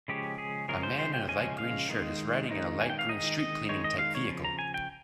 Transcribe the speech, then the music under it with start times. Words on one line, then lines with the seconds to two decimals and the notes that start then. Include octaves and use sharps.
A man in a light green shirt is riding in a light green street cleaning type vehicle.
0.08 C#3 F3 G#3 C#4 G4
0.38 G#4
0.68 C#3 F3 G#3 C#4 A#4
0.83 C5
0.99 C5
1.14 G5
1.28 C#3 F3 G#3 C#4 G#5
1.58 F5
1.89 D#3 G#3 D#4
2.49 D#3 G#3 D#4
2.81 G#5
2.90 G5
2.99 F5
3.09 D#3 G#3 D#4 D#5
3.39 D#5
3.69 D#3 G#3 D#4 C#5
3.84 D#5
3.99 F5
4.15 C#5
4.29 C#3 F3
4.44 A#5
4.59 G#5
4.74 G5